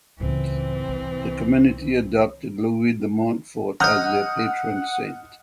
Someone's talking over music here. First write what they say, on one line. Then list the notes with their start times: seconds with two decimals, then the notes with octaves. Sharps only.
The community adopted Louis de Montfort as their patron saint.
0.20 C#2 A2 E3 C4
0.89 C2
3.80 D#5 F#5 A#5 D#6 F6 G6